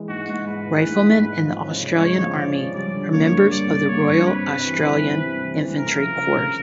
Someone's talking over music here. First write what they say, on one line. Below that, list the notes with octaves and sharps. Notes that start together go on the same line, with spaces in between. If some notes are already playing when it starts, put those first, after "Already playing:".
Riflemen in the Australian Army are members of the Royal Australian Infantry Corps.
Already playing: E3 G#3
G#2 F#4
G#2
G#3 B4
E3
G#2
G#2
G#3
F3
C#4
C#3
G#3 C#5
F3
C#4 D5
C#3
G3 D5
D3
A#3 C#5
G2
G3 D5
D3
A#3 C#5
G2
C4 B4
G3
E3
E3
C4
G3
E3
E3
A3 A#4
F3
C#3
C#3